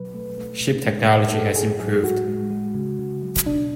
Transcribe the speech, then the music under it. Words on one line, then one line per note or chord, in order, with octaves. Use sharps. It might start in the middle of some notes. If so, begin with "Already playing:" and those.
Ship technology has improved.
Already playing: B2 F#3 B4
A3
A3
B2
G#3
G#3
A2 A4
A2 G#4
F#3 G#4
A2 F#4
G#3
G#3
C#3
C#3
F#3
B2 D4